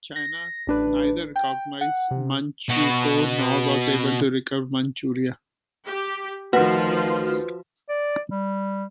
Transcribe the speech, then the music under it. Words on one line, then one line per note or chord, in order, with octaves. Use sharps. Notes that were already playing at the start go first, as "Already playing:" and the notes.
China neither recognized Manchukuo nor was able to recover Manchuria.
A#6
A1 D4 B4
G5
F#5
C3
B2 F#4
G4
D2 D#3 F3 F4 F#4 B4 F#5
D5
G3